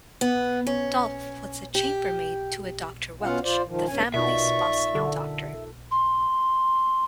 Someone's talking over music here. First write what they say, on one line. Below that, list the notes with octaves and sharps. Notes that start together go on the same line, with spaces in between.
Dolph was the chamber maid to a Doctor Welch, the family's Boston doctor.
B3
C#4
G4
B2 B3 C#4 F4 F5 F#5
F4 C5 D5
D#3 F3
E2 G2 C#4 G#5
B2 D#4 F4 A#4 D5 E5 C#6
D3 A4
C6